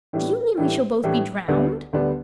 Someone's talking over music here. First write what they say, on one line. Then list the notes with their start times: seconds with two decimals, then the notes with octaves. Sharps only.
"Do you mean we shall both be drowned?"
0.13 A2 E3 G3 D4
0.58 A2 E3 G3 D4
1.04 A2 E3 G3 D4
1.48 D2 D3 G3 B3 D4
1.93 D2 D3 G3 B3 D4